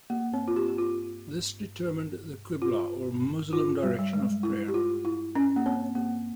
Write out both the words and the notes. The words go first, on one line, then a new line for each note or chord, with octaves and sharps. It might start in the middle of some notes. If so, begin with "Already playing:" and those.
This determined the Qibla, or Muslim direction of prayer.
A#3
C4
F4
G4
G4
F4
F4
F4
G3
G3
G#3
E4
G4
F4
E4
C#4
A#3
C4
A#3